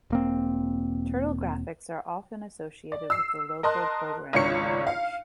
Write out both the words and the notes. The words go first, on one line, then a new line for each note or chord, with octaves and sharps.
Turtle graphics are often associated with the Logo programming language.
E1 A#3 C4
D5
E6 C7
A#4 D#5 A5 C6 F#6
G#1 C#2 D4 C#5 C#6 C#7
F5